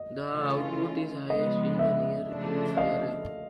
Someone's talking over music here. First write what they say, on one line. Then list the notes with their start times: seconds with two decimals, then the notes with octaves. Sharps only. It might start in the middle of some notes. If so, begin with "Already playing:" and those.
The output is highest in the near infrared.
Already playing: D#5
0.32 C#3 E3 A3 C#4 F4
1.30 C#3 F3 G#3 B3 D#5
1.79 E5
2.28 C#3 F3 A3 D4
2.77 D#5 F5